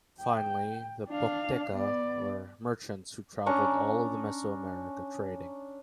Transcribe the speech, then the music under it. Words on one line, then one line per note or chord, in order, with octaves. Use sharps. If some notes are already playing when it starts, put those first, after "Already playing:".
Finally, the "pochteca" were merchants who traveled all of Mesoamerica trading.
G5
D4 F5
B3 D5
C#4 D4 A#5 C#6